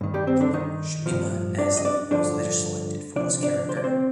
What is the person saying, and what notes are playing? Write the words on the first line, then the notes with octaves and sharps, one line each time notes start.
Shamima Nazneen was later selected for this character.
G2 D#3
G3 G4
C4
D3 D4
D#3 D#4
G2 F3
D4 D5
D#5
D4 D5
G2 D3 F3 D4 D5
D2 C3 F3 D4 D5
D4 D5
C5
D5
C4 C5